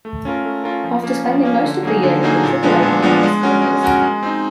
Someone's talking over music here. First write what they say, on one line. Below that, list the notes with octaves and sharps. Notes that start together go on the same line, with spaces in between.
After spending most of the year with the Triple-A Columbus Clippers.
A3
C#4 F4 A#4
A3
C#4 F4 A#4
F3
A#3 C#4
F3
A#3 C#4
D3
F#3 A#3 D#4 G#4
D3
F#3 A#3 D#4 G#4
A#2
F3 G#3 B3 D4
A#2
F3 G#3 B3 D4
G#3
C#4 F#4 A#4
G#3
C#4 F#4 A#4
G#3
C4 D#4